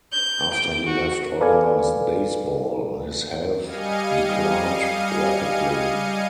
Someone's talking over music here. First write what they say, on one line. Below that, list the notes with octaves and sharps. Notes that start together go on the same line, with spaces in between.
After he left organized baseball, his health declined rapidly.
G6
G5
F#4
A4 B4 D5 F5 G#5
G3 D#5 F5 G#5 C#7 D#7